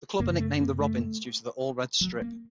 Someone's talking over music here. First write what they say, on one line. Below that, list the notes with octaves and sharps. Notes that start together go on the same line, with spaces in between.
The club are nicknamed "The Robins" due to their all-red strip.
F#2 C#3 A#3
A3
A#3
A3
F#3
A#3